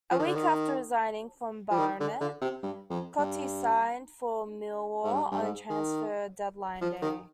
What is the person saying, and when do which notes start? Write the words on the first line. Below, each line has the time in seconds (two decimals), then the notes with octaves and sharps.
A week after resigning from Barnet, Cottee signed for Millwall on transfer deadline day.
0.11 F3
0.19 D#3
0.26 D3
0.35 D#3
1.71 F3
1.78 D#3
2.00 D3
2.21 D3
2.41 C3
2.63 G2
2.90 F2
3.18 G2
5.04 G#2
5.13 G2
5.31 G2
5.42 G#2
5.70 D#3
6.81 F3
7.02 D#3